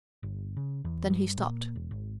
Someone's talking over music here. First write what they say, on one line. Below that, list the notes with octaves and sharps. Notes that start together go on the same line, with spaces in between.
Then he stopped.
G1
C#3
E2
G2
A#2
E1
G#1